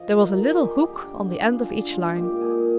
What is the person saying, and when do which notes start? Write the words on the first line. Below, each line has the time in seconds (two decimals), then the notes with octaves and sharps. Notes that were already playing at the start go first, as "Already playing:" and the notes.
There was a little hook on the end of each line.
Already playing: F3 D#5
0.14 D#4 A#4
0.39 G3 G#4
0.52 G#4
0.64 G3 G4
0.89 D3 G4
1.15 D3
1.40 F4 G#4
1.65 D4
1.90 G#3 F4
2.16 A#2 G4
2.41 A#2 G#4